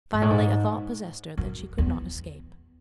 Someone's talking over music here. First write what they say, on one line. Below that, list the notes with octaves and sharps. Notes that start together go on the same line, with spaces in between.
Finally a thought possessed her that she could not escape.
G#2
A2
G#2
F#2
E2